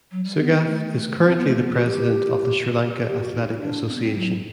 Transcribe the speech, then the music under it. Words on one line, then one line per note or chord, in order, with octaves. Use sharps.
Sugath is currently the President of the Sri Lanka Athletic Association.
F#3
G3
B3
A3
C4
B3
A3
B3
F#4
G4
A4
G4
F#4
E4
D4
E4
D4
C4
B3
C4
F#3